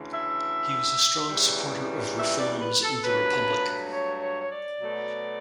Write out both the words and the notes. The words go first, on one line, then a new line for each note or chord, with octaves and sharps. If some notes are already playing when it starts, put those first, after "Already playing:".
He was a strong supporter of reforms in the Republic.
Already playing: D2 C#3 E3
E5
E2 C#3 E3 G3
E5
D5
B4
A4
G2 F#3 A3 B4
C#5
C#5
C#5
D5
B2 F#3 A3